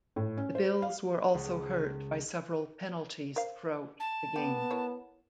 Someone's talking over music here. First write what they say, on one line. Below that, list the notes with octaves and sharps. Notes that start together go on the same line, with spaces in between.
The Bills were also hurt by several penalties throughout the game.
A2
C#4
C5
F5
C#2
A#4 C5 F5
A5
D3 B3 G4
E4 A#4 C#5